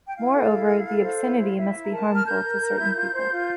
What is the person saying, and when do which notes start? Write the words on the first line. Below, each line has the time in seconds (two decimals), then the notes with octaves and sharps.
Moreover, the obscenity must be harmful to certain people.
0.07 G5
0.17 E4 F5
0.35 A4
0.51 E4
0.69 E4
0.86 A4
1.04 C5
1.21 E4
1.39 E4
1.57 E4 E5
1.74 E4
1.84 A#5
1.91 A#4 A5
2.08 A#4
2.15 F6
2.27 A#4 G6
2.44 A#4
2.60 A#4
2.78 E4
2.95 F4
3.13 C5
3.31 F4